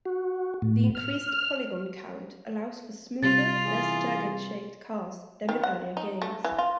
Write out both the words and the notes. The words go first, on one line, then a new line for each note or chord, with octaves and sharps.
The increased polygon count allows for smoother, less jagged-shaped cars than in earlier games.
F#4
A2
F6
C3 G3 F4 A6
E3 G#4
D#3
F#5
D#4
A3
E3
F4